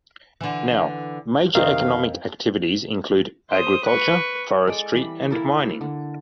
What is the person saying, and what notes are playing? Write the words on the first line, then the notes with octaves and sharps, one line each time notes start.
Now, major economic activities include agriculture, forestry, and mining.
D3 E3
F2 C3 D#3 A#4 D#5 F5
C5 D#6
B4 C#6
G#3 A4 D5
E3 G3 B5
A#3 E4 A4 A#4
D3